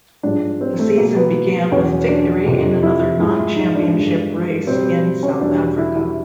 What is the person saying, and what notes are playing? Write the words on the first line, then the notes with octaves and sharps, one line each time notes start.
The season began with victory in another non-Championship race, in South Africa.
G#2 F3 G#3 D4
C4
A3
B2 G#3 A#3
B3
E2 B2 F#3 C#4
D4
F2 C3 F3
E4
G#2 F3 G#3 E4
D#4
D4
G2 D3 F3 G#3
B2 G3 C4
C#4
E2 B2 G3 D4
E4
E4